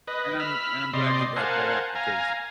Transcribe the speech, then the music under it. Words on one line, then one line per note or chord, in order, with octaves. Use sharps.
And I'm and I'm glad you brought that up, because i
B4 D#5
B5 E6 F6
C3 D5 D#5 C6
A#4 C5 F5 F#5 G#5 A5
F5 G#5 A#5